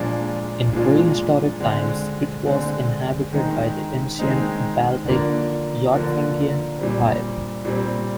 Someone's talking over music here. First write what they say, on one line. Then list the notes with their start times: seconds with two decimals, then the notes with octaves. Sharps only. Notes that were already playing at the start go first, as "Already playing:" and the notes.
In prehistoric times it was inhabited by the ancient Baltic Yotvingian tribe.
Already playing: A#2 F3 G#3 D4 F4
0.73 A#2 F3 G#3 D4 F4
1.60 D3 G#3 C4
2.46 D3 G#3 C4
3.33 D#3 G#3 C4 D#4
4.19 D#3 G#3 C4 D#4
5.06 D3 F3 A#3 D4
5.92 D3 F3 A#3 D4
6.78 A#2 G3 C4
7.65 A#2 G3 C4